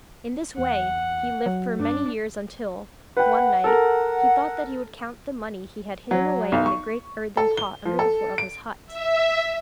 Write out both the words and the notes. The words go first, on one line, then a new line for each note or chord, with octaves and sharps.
In this way he lived for many years until, one night, he thought that he would count the money he had hidden away in the great earthen pot under the floor of his hut.
E2 F#5
F#3
G2 D4
B4 F#5 G5
A4 A#4
F#3
B1
C#6
A4
G7
F3
A4
D7
E5